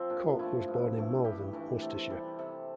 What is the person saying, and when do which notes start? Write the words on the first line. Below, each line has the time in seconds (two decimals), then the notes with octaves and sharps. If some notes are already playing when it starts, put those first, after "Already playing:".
Corke was born in Malvern, Worcestershire.
Already playing: F3 C4
0.10 A#2 D4
0.39 F3 A3 E4
0.68 G2
0.96 E3 A3
1.24 G2 G4
1.53 E3 A3
1.82 C3 A4
2.10 G3
2.39 C3 A4